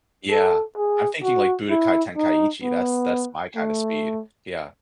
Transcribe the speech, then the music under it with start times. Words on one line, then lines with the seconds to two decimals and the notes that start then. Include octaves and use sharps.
Yeah, I'm thinking, like, Budokai Tenkaichi, that's that's my kind of speed. Yeah.
0.31 A4
0.77 G#4
1.24 F#4
1.70 E4
2.17 D#4
2.63 B3
3.56 A3